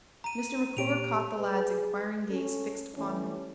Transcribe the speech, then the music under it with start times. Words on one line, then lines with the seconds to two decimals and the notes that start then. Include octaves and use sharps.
Mr. McClure caught the lad's inquiring gaze fixed upon him.
0.24 A#5 D#7
0.77 A#2 G4 C#5 D7 F7
1.36 G#4 B4
2.28 C#4 A4
2.95 E3 G3 A3 C#4